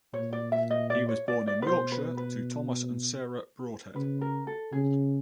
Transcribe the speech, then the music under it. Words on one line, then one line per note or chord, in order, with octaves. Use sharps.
He was born in Yorkshire to Thomas and Sarah Broadhead.
A#2 C#5
D5
E5
D#5
D5
C#5
D5
D5
B4
B2 C5
B4
B4
C#3 B4
A#4
A4
C#3 G#4